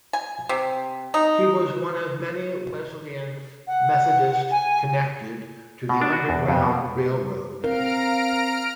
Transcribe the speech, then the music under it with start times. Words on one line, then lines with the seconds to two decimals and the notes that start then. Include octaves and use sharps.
He was one of many Wesleyan Methodist connected to the Underground Railroad.
0.13 G#5
0.49 C3
1.14 D#4
3.67 F#5
4.51 G#5
5.89 B2
6.01 D4
6.13 F#4
6.29 E2
6.48 F2
6.63 B2
7.64 C4 A#4 F5 A#5 F6 D7